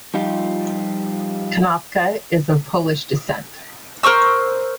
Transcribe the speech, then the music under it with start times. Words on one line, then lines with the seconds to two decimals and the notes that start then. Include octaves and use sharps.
Konopka is of Polish descent.
0.14 F3 G3 D#4 F4 G4
4.03 A#4 C5 C#6 E6